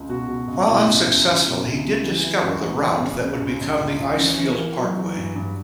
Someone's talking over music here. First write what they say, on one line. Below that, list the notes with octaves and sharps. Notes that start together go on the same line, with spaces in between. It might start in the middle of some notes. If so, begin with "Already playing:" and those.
While unsuccessful, he did discover the route that would become the Icefield Parkway.
Already playing: C#2
B2 F#4
B2
C#2
B2 E4
C#2
C#2
C#2
B2
C#2
C#3
E3
E3
C#2 F#4
E3
E3
B3
C#2 C#4
C#3
C#2
C#2
C#2
C#2
E3 C#4
E3
A#3
E3
E3 F#3
E3
G2
G2